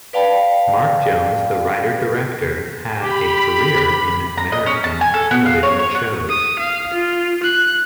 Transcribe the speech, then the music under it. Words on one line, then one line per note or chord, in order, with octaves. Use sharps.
Mark Jones, the writer-director, had a career in American television shows.
B4 D5 F5 G5 A5 B5
G4 B5
A#5
D#5
C#4
A5
G#5
A4
B3
F5
C#5
C#5
F#4
D#6
F5
F4
F#6